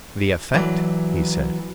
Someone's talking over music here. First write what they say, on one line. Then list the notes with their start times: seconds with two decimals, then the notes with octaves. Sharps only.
"The effect?" he said.
0.54 E3 F#3 D5